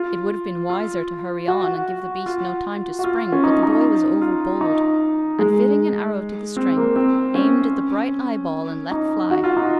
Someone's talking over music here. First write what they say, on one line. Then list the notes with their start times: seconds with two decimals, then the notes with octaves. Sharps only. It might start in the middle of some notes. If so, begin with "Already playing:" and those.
It would have been wiser to hurry on and give the beast no time to spring; but the boy was over bold, and, fitting an arrow to the string, aimed at the bright eye-ball and let fly.
Already playing: F4
0.70 F4
1.48 F#4
2.26 F4
2.99 F#4
3.04 F4
3.32 C#4
3.44 D#4
3.63 D#4
4.22 F4
4.61 D#4
5.39 G#3
6.57 C4
6.77 A#3
6.96 C4
7.35 C#4
8.91 D#4
9.31 F#4
9.44 F4
9.57 D#4